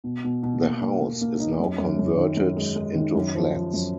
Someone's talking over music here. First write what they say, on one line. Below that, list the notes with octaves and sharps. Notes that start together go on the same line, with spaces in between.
The house is now converted into flats.
B2
B2
B2
A#3
A#3
A#3
A#3
D#4
F#2
F#2
F#2
D#3
F#2
G#3
G#3
D#3
F#2
F3
F3
F#2